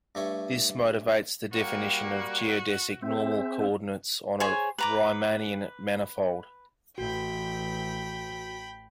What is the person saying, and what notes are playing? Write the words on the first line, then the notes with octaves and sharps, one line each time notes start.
This motivates the definition of geodesic normal coordinates on a Riemannian manifold.
G2 A3 C#5
G3 A#3 F#4
C4 G#4 E5
G#4 C5 C#5 G#5
B4 A#5 D6
A1 E3 F#4 G5 B5